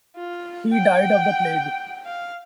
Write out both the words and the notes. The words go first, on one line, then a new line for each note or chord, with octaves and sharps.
He died of the plague.
F4
F#5 G5
F5